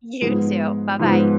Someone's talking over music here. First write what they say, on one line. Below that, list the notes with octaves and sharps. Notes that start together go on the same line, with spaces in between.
you too, bye-bye.
G#2 F3 G#3 B3
G#2 F3 G#3 B3